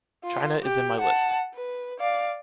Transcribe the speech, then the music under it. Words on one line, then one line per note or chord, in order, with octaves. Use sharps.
China is in my list.
F4
G4
F#5 A5
B4
D5 F5